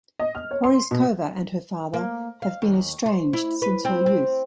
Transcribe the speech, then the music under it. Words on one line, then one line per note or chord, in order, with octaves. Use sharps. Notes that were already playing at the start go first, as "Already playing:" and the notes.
Porizkova and her father have been estranged since her youth.
D#5
F6
C#5
C6
B2
A#3
F5
D#2
C5
E4
B4
C4
C4